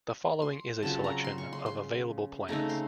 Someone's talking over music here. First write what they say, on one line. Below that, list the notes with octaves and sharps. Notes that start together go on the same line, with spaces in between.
The following is a selection of available plants.
C6
C#3 F#3 C4 F4 A5
A#5
C6
C#6
C6
C6
C#3 A3 C4 D#4 A#5
C6